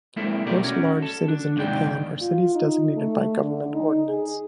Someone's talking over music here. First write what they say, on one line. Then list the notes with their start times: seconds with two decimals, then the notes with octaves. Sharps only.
Most large cities in Japan are cities designated by government ordinance.
0.16 G#3 A#3 C4 D4 E4 A4
0.46 B2 A3 G4 A#4 D5
0.64 C#4 F#4
1.02 A4
1.28 D4
1.56 D#2 G#2 C3 D#4 D5 G5
2.21 F4
2.55 D#4
2.97 A3
3.40 D3
3.73 D#4
4.09 G#4